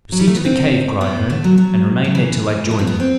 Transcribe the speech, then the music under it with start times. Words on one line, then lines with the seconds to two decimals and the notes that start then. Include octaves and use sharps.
"Proceed to the cave," cried Herne, "and remain there till I join you."
0.12 F#3
0.20 G3
0.27 A3
0.36 B3
0.45 C4
1.01 B3
1.30 A3
1.44 F#3
1.58 F#3
2.04 F#3
2.15 E3
2.71 B3
2.79 C4
2.87 B3
3.00 C4